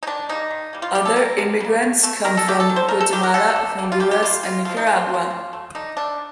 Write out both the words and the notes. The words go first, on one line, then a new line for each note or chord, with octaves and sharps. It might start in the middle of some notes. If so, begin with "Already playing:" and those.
Other immigrants come from Guatemala, Honduras and Nicaragua.
D#4
D#3 D4
G3 A#3 D#4
D#3
G3 A#3
F4
D3 G4
A4
G3 A#3 A#4
D3
G3
A#3
D#3
A3
D#3 A#4
A4
A3 G4
A4
D#3
C5
A3 A#4
A4
D#3 G4
A#4
A3 A4
D3
G3 A#3
F4
D3 G4
G4
G3 A#3 F4
C3 F4
F3 A3 F4
D#4
C3 F4
A3
F3
D3
A3
D3 D#4
A3 D4